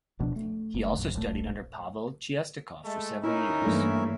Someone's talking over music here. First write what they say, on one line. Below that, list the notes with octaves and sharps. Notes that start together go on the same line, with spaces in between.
He also studied under Pavel Chistyakov for several years.
D1 B2 F3 D4
A3
F#1 A3
A#1 F#2
D1 A#1 B2 A3
G#3 A3
C#4 D#4 E4 A#4 E5
G2 E3 A3 A#3 D4 E4